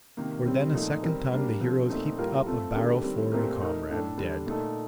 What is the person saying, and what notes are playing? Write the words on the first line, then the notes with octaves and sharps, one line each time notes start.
For then a second time the heroes heaped up a barrow for a comrade dead.
C3 D#3 A#3
C3 G3 C4
A#2 F3 A3 D#4
G3 C4 G4 A#4
G3 A#3 D4 G4 A#4
D3 F3 C4 G4
A#2 A3 C4 D#4
A2 G3 A#3 F4 A#4
A3 C4 F4 A4
D#3 A3 D4 G4 A#4
D#3 G3 C4
A#2 A3 C4 G4 A#4
A3 D#4 A#4
A2 A3 D4 A4
D3 G3 D4
A#2 A3 D#4 A4